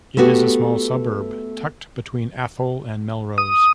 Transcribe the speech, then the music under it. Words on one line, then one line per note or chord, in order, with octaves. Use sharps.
It is a small suburb tucked between Athol and Melrose.
A3 B3 F#4 G4
D#6